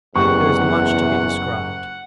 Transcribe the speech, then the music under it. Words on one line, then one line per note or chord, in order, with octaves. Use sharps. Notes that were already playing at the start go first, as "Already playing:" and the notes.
There is much to be described.
F#1 E2 G4 F#5 C#6